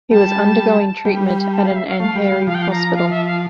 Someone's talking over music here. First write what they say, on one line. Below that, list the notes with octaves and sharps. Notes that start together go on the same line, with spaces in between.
He was undergoing treatment at an Andheri hospital.
G3 A5
G3
A5
F5
E5
F5
A3 F5
G3
F5
G3
F3 F5
G5
F5
A#5
F5
E5
F5